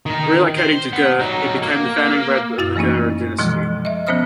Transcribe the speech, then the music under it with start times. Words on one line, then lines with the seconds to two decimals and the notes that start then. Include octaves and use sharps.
Relocating to Ger, he became the founding rebbe of the Gerrer dynasty.
0.06 D#3 D#4
0.57 C5
0.93 B3
1.20 F#3 D#4
1.62 A#3
2.58 F#2 E4 F#4 A6
2.76 E3 A3 A#3 C#4 D#4
3.39 B2 E3 F3 G#3
3.85 D#5 E5
4.07 F3 B3 C#4 C5 D#6 F6